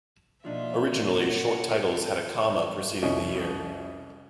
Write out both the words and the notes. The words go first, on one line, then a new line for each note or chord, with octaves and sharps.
Originally short titles had a comma preceding the year.
B2 F3 A#3 D4 D#4 F4 E5
C#5 F#5
C2 F2 C#4 D#5